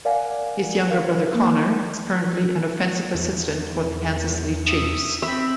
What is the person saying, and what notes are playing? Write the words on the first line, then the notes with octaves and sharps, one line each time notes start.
His younger brother Connor is currently an offensive assistant for the Kansas City Chiefs.
A#4 D5 F5 F#5 G#5
A#4 F5
A#3
E2
E5 D#6
C4 E5 B5